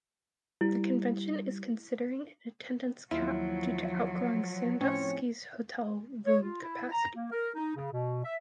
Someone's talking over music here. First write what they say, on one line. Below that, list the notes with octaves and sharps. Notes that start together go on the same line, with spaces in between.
The convention is considering an attendance cap due outgrowing Sandusky's hotel room capacity.
G3 E4
D#2 F3 F#3 E4 F4
A2 F3 C4 C#4 C#5
C#5
F4
E4
A#5
A#3
A#4
D#4
C#3
B2
E5